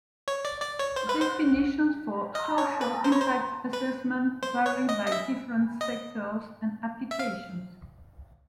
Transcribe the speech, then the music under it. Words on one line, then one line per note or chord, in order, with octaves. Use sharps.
Definitions for "social impact assessment" vary by different sectors and applications.
C#5
D5
D5
C#5
C5
B4
C5
D#5
C#5
B4
C5
C#5
C5
B4
C5
C#5
D#5
D#5
E5
D#5
E5
F5